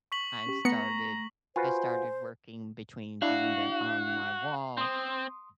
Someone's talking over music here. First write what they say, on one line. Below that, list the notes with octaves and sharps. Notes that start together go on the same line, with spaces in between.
I've started I started working between doing them on my wall
C#6 B6 F#7
C#4 G4
A3 B3 A#5 C#7
F4 F#4 B4 C5 G#5
D4 E4 F#4 F5
C4 C6 D#6